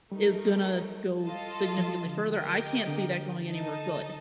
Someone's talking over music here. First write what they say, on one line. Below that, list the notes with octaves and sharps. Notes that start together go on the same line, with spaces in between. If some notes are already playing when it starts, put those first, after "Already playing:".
is gonna go significantly further. I can't see that going anywhere good.
G3 A3 D#4 A#4
F4 A4 D#5 A5
F3
D3
G4 A#4 D#5 G5
D3
D#4 A4 D#5 A5